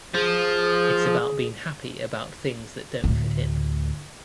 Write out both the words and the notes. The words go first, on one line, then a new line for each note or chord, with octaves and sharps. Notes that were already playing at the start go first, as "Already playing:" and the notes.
It's about being happy about things that don't fit in.
F3 G#4
D2 A2